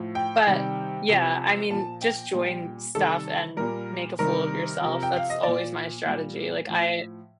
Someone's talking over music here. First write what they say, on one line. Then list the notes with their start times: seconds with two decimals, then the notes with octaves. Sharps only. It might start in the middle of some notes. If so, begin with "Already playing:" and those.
but yeah, I mean, just join stuff and make a fool of yourself, that's always my strategy, like, I
Already playing: A2 F3
0.15 G5
0.47 C3 D#3 G3
1.09 C3 F3
1.70 A#2 F3 A5
2.02 G5
2.33 A#2 G3
2.95 C3 D#3 G3 A4
3.57 A#2 G3 A#4
4.19 C3 D#3 G3 A#4
4.82 C3 F3
5.03 G5
5.17 F5
5.30 D#5
5.43 A#2 F3 D5
6.06 A#2 G3
6.68 A2 F3